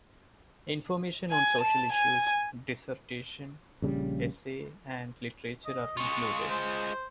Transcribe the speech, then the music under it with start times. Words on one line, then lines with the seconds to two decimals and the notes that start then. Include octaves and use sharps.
Information on social issues, dissertation, essay and literature are included.
1.30 G#5
1.61 A5
1.92 G#5
3.82 A#1 C#3 G3
5.65 D#5
5.97 G#3 F4 C#6
6.49 C5